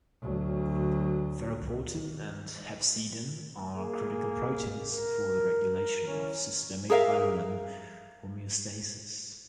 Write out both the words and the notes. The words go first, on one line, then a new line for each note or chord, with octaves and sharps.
Ferroportin and hepcidin are critical proteins for the regulation of systemic iron homeostasis.
D2 F#3
A#3 G#4
A#4
E3 C#4
G#4 A#4 E5 F5